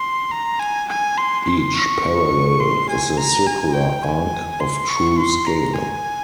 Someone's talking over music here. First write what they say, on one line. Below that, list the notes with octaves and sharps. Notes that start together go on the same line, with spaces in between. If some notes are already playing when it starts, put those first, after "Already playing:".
Each parallel is a circular arc of true scale.
Already playing: C6
A#5
G#5
G#5
C6
C6
C#6
C6
G#5
A#5
G#5
G5
G#5
C6
C#6
C6
A#5
G#5